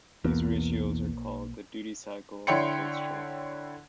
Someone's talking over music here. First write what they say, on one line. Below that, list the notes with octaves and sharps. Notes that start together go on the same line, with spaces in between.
These ratios are called the "duty cycle" of the pulse train.
B1 E2 A#3
D3 E4 C#5 G5 C6 C#7